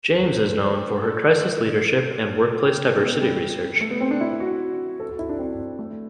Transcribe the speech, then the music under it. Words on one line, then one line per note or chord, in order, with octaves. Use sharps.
James is known for her crisis leadership and workplace diversity research.
C5
B4
C5
A4
G4
B3
G3
A3
B3
C4
D4
E4
F#4
A4
F#4
E4
D4
C4
A3